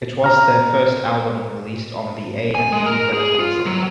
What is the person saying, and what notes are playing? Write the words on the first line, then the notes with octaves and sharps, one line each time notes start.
It was their first album released on the A and E Records label.
A#5 F6
G#5
G#3
A#4
G#4
F4
F#3